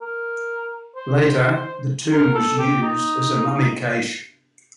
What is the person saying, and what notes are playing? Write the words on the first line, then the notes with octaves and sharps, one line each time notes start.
Later the tomb was used as a mummy cache.
A#4
C5
A#4
A4
G4
D#4